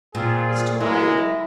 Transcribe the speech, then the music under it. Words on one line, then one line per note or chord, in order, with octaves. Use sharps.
"It's too late!"
A#2 C4 F4 G#4
F#3 G#3 E4 A#4